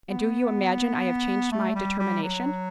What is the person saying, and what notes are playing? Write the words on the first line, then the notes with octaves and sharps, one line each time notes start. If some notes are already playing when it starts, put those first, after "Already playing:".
And do you imagine I have changed my determination?
B3
A3
G3
G3
F#3